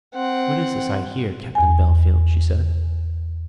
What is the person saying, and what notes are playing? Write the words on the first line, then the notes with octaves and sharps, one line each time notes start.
"What is this I hear, Captain Bellfield?" she said.
C4 F#5
E2 G#5